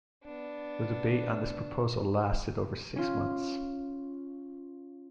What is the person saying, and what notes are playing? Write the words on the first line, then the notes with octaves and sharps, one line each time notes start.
The debate on this proposal lasted over six months.
B3 D4
C#4 F4